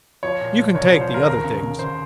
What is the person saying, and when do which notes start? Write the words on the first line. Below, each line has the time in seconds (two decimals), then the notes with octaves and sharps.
"You can take the other things."
0.23 F3 C#5
0.40 A#2
0.58 F3
0.75 C2 C#5
0.88 C#5
0.92 F3
1.01 C5
1.10 F3 A#4
1.27 D#2 A#4
1.44 C#3
1.62 C#3
1.79 D#2 C5